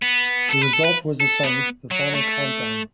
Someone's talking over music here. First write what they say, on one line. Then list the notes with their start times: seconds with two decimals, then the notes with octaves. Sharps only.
The result was the song "The Final Countdown".
0.02 B3
0.49 A4
0.62 B4
0.73 A4
0.85 B4
1.20 A4
1.44 B3
1.91 F#3
2.15 A3